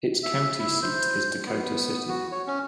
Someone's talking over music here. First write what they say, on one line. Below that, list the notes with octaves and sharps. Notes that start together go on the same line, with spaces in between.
Its county seat is Dakota City.
E5
E4
C5
B3
F#4
C#5
C#4